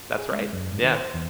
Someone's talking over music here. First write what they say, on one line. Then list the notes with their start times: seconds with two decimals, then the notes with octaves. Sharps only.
That's right. Yeah.
0.18 G#4
0.32 G#3
0.53 F#2
0.72 G#2
0.83 D#3
0.95 C5
1.14 E2